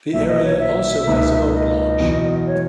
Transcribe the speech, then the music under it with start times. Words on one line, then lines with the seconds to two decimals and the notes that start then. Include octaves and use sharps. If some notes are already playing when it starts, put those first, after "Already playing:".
The area also has a boat launch.
0.13 B1 A#2 F#3 E5
0.28 D#5
0.44 C#5
0.59 E5
1.07 C#2 B2 A#3 D#4
1.53 D#5
2.00 E2 B2 F#3
2.46 C#5